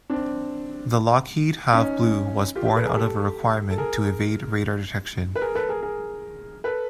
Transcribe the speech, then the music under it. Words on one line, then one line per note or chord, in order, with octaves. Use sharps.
The Lockheed "Have Blue" was born out of a requirement to evade radar detection.
C4 D4
C#4 D#4
F4 G4
G4 A4
A4 B4
G#4 A#4
G4 A4
A4
G#4 A#4
B4
G#4 A#4
A4 B4
G#4 A#4
G#4 A#4
A4 B4